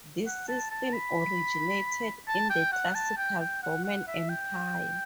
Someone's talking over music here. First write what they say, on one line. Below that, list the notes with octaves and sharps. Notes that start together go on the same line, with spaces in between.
This system originated in the classical Roman Empire.
F#5
A5
A5
B5
A5
G5
F#5
A5
G5
G5
F#5
F#5
E5
G5